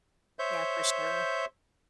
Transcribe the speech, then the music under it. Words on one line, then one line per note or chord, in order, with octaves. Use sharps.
Yeah, for sure.
C5 C#5 E5 G6